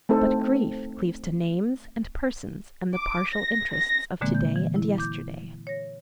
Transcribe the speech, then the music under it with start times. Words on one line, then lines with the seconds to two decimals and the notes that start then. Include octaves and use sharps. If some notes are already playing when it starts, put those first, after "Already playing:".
But grief cleaves to names, and persons, and the partial interests of to-day and yesterday.
0.09 A3 C4 D#4 A4 C5
2.96 D6
3.33 A#6
3.73 A#6
4.21 A#2 D3 E3 G#3 A#3 C4
4.35 G6
4.56 E3
4.76 E4
4.98 D6 G6
5.67 C#5 A#6